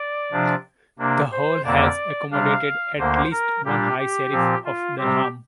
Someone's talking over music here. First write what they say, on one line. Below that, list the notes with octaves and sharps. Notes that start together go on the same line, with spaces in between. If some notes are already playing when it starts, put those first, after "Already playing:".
The hall has accommodated at least one High Sheriff of Durham.
Already playing: D5
C3 F3 D4
C3 A#3 D4
C5
F2 D3 A#3 D5
C3 G3 D4 F5
D2 D3 A#3 C5
A#4
A#2 G3 D4 G4
G4
A#2 F3 C4
F4
C3 G3 C4 G4